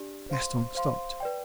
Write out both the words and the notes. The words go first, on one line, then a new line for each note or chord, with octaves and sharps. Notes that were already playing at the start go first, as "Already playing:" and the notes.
Gaston stopped.
Already playing: D4 G4 D5
C5 F5 C6
C5 F5 C6
B4 D5 G5